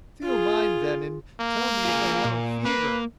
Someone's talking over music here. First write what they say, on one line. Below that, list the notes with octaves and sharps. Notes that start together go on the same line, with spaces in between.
"Feel mine then and tell me if I have a fever."
F4 G#4
A#3
F4 G#4
A#2
A#3 B4